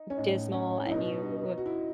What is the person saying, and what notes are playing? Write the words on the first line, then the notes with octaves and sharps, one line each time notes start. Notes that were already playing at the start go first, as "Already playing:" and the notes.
dismal and you
Already playing: D#4
C#4
A2 D#4
C#4
E4
B2 D#4
F#4
E4